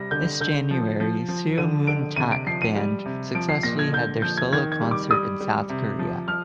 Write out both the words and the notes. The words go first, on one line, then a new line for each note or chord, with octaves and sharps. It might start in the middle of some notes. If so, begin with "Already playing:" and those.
This January, Seo Moon Tak Band successfully had their solo concert in South Korea.
Already playing: C3 G3 A#6
D3 G6
D3 G6
F3
F3
F3
D3 D#7
D3 D7
C3 D#7
D7
F3 C7
D#7
G3
C3
F3 D7
C7
A#2 A#6
G#6
D3 G6
F3 G6
G#6
D#3 G#6
G#6
G3
D6
G3 D#6
G3
C3
F3
F3 F6